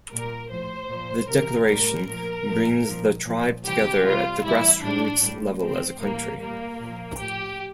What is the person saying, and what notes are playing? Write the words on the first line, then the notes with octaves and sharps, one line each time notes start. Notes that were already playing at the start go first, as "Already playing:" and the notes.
The Declaration brings the tribe together at the grassroots level as a Country.
A#2 G3 A#4
A2 F3 C5
A#2 F3
C3 E3 G3 A#4
A2 G3 A#4
A#2 F3 A#4
A2 F3
A#2 F3
A#2 F3
C3 E3 G3 G4
C3 G3 F4
A2 E3 G3 E4
A2 G3 D4
A2 G3
A2 F3 C4
A2 E3 G3 A#3
A#2 G3 A#3
A#2 F3
A2 F3 G4